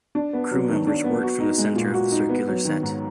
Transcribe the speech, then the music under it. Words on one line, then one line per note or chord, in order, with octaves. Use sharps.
Crew members worked from the center of the circular set.
D4
B3
F#3
D#3
D4
B3
F#4
D#4
G#3
A#2
F#4
D#4
B3
F#3
D#3
G#2